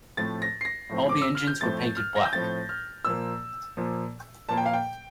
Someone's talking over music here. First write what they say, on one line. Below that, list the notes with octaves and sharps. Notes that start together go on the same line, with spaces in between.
All the engines where painted black.
A2 F3 A3 C4 A6
A#6
C7
A#6
A2 F3 A3 C4
D6
E6
F6
G6
A2 F3 A3 C4 A6
F6
A#6
G6
A2 F3 A3 C4 A6
F6
A#2 F3 A#3 E6
A#2 F3 A#3
A#2 F3 A#3 A5
G5
F5
G5